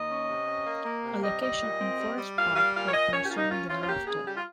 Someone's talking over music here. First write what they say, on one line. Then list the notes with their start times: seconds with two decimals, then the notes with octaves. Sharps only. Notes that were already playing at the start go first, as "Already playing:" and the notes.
A location in Forest Park opened soon thereafter.
Already playing: D#2 D#5
0.09 C#4
0.27 C3
0.47 C#4
0.65 A#3
0.84 A#3
1.04 C3
1.22 G3 D#5
1.41 G3 D#5
1.61 A#2
1.80 C4
1.98 G3
2.17 G3
2.36 A#2 F5
2.55 G3 F5
2.74 A#2 F5
2.88 C#5
2.93 A#2 D#5
3.12 C#4 C#5
3.24 G4
3.30 A#3 F4
3.37 D#4
3.50 C#4 F4
3.69 C#4 F4
3.82 F4
3.88 A#3 G4
4.07 C#3 G#4
4.26 G3 G4
4.35 F4